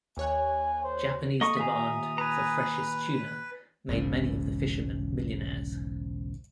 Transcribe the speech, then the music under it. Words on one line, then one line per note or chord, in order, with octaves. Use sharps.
Japanese demand for freshest tuna made many of the fishermen millionaires.
D#2 C#5 G#5 F#6
C5
A#3 A4 D#5 A#5 C#6 D#6
D#2 A#2 G#4 E5 A#5
B4 G#5 A#5
E1 B1 G#2 C#3